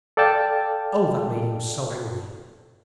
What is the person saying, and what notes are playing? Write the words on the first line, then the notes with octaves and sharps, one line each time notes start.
Oh, that made him so angry!
A4 D5 F5 G5 A5